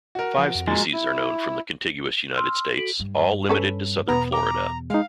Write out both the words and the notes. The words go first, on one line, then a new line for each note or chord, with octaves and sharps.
Five species are known from the contiguous United States, all limited to southern Florida.
F#4 A#4
F3
F2
A#2 F#3 G#3 C6 A6
E4
C6 E6 F6
F#4 A4 B6 D7 F#7
G2
C#4 A4 B4
E2 B2 B3 A#5
A#5 D6
G#3 D#4 F5